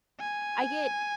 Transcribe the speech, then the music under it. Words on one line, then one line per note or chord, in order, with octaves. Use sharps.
I get
G#5